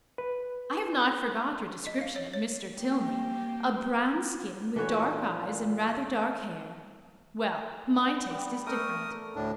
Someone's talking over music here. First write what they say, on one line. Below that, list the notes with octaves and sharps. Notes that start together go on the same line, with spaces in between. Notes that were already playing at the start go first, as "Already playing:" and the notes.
I have not forgot your description of Mr. Tilney: 'a brown skin, with dark eyes, and rather dark hair.' Well, my taste is different.
B4
D#5
F5
C#5
C#5
A#3 G4
A#2 E3 D4 F#4 A4 C#5
B3
G3 D5
A3 A#4 D#6
D2 A2 D4